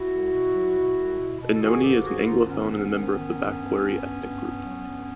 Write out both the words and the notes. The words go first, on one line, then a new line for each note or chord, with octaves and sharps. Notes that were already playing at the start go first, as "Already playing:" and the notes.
Inoni is an Anglophone and a member of the Bakweri ethnic group.
Already playing: E4 F#4
C2
B2
F#3
B2
C2
B2
B2
A4
D#3 F#4 G#4
G#2 G4 A4
G#2 F#4 G#4
E4
D#3 D#4 F4
D4
G#2 B3 C#4
G#2
D#3
D#3
G2
G2
G2
G2
G2
G2
F#3
G2